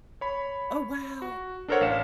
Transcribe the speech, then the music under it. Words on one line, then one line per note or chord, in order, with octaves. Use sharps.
Oh, wow.
C#5 B5
F#4
D4 A4 A#4 C5 C#5 F#5
A1 F5 E7